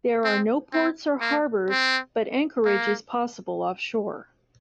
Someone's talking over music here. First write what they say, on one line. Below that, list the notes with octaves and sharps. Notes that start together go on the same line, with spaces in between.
There are no ports or harbours but anchorage is possible offshore.
C4
C4
A#3
C4
A#3